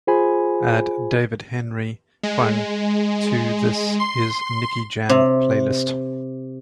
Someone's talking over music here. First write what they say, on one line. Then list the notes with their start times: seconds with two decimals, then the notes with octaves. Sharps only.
Add david henry hwang to the This Is Nicky Jam playlist.
0.07 F4 G#4 C5 G#5 B5
2.23 G#3
4.00 C6
5.09 C3